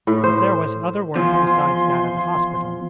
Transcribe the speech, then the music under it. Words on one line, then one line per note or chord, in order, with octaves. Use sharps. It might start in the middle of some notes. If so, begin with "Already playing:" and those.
But there was other work besides that at the hospital.
A2
C5
E2 F3 F4 G#5 C6